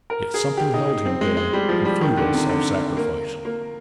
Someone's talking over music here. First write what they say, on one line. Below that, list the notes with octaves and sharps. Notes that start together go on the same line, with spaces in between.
Yet something held him there in futile self-sacrifice.
A#4
G#4
G4
D#4
C4
G#3
G#3
G3
F3
G3
D#3
D3
C3
D3
A#3
A#3